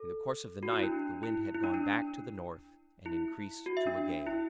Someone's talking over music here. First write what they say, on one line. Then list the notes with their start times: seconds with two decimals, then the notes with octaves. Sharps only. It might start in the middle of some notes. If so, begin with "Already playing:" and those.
In the course of the night the wind had gone back to the north, and increased to a gale.
Already playing: A4
0.63 F#4
0.72 E4
0.83 D4
1.23 E4
1.55 E4
1.64 D4
1.74 D4
3.06 E4
3.66 F#4
3.77 E5
3.87 D4
4.26 E4